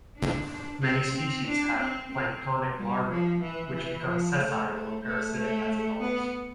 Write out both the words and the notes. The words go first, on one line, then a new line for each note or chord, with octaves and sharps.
Many species have planktonic larvae which become sessile or parasitic as adults.
D4
C4
C4
D4
C4
C4
G3
F3
E3
E3
F3
A3
A3
A3
A3
B3